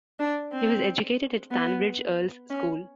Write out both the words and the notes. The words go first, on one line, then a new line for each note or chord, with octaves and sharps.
He was educated at Stanbridge Earls School.
D4
C4
B3
C#4